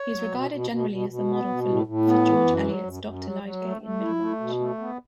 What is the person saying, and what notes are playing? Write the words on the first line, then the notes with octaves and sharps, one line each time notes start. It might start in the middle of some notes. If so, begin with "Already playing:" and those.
He is regarded generally as the model for George Eliot's Doctor Lydgate in Middlemarch.
Already playing: C#5
F#3
B2
B2
B2
B2
B2
B3
B2
A2
A2
B3
E3
F#2
F#3
F#2
F#2
F#3
F#3
A3
A3
E4
A3
B2
A3
B3